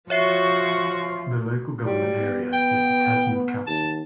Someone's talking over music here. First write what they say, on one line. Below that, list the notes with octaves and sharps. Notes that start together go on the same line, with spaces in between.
The local government area is the Tasman Council.
F3 F#4 C#5 E5 C#6 C7
F#3 G3
B3
G5
D#2 A5